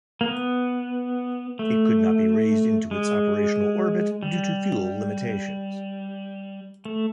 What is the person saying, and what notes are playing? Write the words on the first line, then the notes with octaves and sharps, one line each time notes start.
It could not be raised into its operational orbit due to fuel limitations.
A#3
B3
A3
G#3
G3
A3